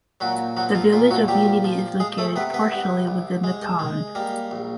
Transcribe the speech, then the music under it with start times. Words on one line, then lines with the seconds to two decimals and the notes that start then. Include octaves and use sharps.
The Village of Unity is located partially within the town.
0.21 A#2 F#3 F#4
0.57 F3 F#3 F#4
0.75 F3 F4
0.93 A#2 F3 F4
1.10 F#3 F#4
1.28 F3 G3 G4
1.64 F3
2.00 G#3 G#4
2.18 A3 A4
2.36 C3 B3 B4
2.54 B3 B4
2.72 C2
3.07 C2
3.44 G#3
3.79 G#3
4.15 G3 A#3 A#4
4.51 A#1